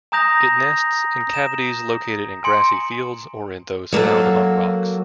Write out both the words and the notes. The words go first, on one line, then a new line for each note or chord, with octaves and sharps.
It nests in cavities located in grassy fields or in those found among rocks.
G#5 A#5 D#6 G6 A#6 F7
E7
G#5 C6 C#7
F#3 A#3 F#4 A4